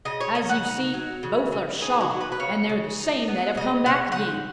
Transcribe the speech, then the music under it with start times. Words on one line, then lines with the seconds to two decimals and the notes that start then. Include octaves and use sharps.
As you see, both are shod; and they're the same that have come back again.
0.05 C#3 D#5
0.20 C#5
0.35 C#3 D#5
0.50 F#5
0.64 D#4
0.94 F#3
1.23 C#3
1.52 C#3
1.81 D#4 G#4
2.01 F#4
2.11 F#3
2.21 B4
2.32 B4
2.40 C#3 C#5
2.69 C#3
2.99 D#4
3.28 B3
3.57 C#3 D#5
3.86 C#3 F#5
4.12 D#4 F#5